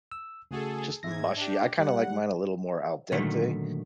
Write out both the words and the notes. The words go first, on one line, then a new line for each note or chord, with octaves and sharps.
just mushy. I kinda like mine a little more al dente,
E6
C#3 A3 F#4 G#4 A4
G#2 E5 G#6 A#6
D4 G4
G3 F#5
A#2 D3 D#3 F#3 A3